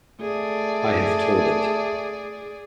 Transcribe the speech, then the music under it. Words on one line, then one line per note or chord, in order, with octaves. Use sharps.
I have told it.
A3 G#4 D5